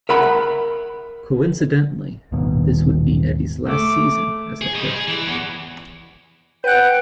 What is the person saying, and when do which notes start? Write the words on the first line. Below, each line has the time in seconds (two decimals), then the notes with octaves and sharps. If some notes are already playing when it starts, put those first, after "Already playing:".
Coincidentally, this would be Eddie's last season as head coach.
0.09 A#4 E5 F#5 B5
2.32 D#1 G#1 D#2 B2
3.66 A3 D6
4.62 G#4
4.75 G3 D#5
4.94 G#4
5.08 E3
5.27 E2
6.64 B4 F#5 G5 F#6 G6